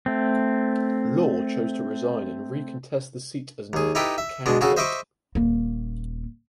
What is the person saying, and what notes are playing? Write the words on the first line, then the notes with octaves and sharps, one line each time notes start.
Law chose to resign and recontest the seat as an candidate.
A3 C4
D#2 G#4
D#4 E4 G4 A4 B4 G5
E5
B2 G#3 D4
C#3 F#4 G#4 A4 F#5
C5 D#5 E5 B5 C#6 D6
D#1 A#3